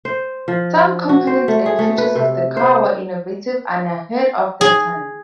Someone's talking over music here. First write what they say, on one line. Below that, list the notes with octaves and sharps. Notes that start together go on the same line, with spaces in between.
Some components and features of the car were innovative and ahead of their time.
C5
F3
F#4
C5
A3
G#4
A3
B4
C3
C5
G#4